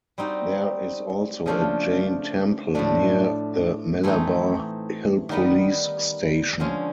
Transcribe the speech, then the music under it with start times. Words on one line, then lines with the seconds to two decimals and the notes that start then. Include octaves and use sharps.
There is also a Jain temple, near the Malabar Hill Police Station.
0.18 G3 C4 D#4 F#4
1.46 C#3 F3 A3 D4 F4
2.75 A2 F3 A3 D4
4.03 E3 A3 C4 D#4
5.29 D#3 G3 B3 D#4
6.60 D3 F3 G#3 C#4